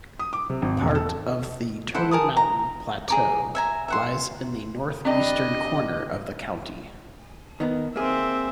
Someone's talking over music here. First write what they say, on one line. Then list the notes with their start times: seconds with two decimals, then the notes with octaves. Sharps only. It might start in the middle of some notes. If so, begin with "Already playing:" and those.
Part of the Turtle Mountain plateau lies in the northeastern corner of the county.
0.19 D#6
0.33 D6
0.50 C3
0.62 G#1
0.81 E1
0.95 A4
1.95 E4 A4 C5 F#5
2.11 G#4 A#4 A5 D#6
2.37 A#5
3.08 G#4 A#5 D6
3.55 E5 G#5 A#5
3.88 E5 F#5 C6
5.05 G3 C4 D4 D#5
7.60 D#3 B3
7.96 A#3 C4 G#4 E5